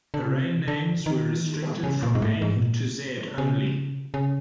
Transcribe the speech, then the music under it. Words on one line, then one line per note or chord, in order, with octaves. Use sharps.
Array names were restricted to A to Z only.
D3
C#3
C3
D3
D#3
E3
D#3
C#3
A#2
G#2
A2
G#2
B2
A#2
C#3
C#3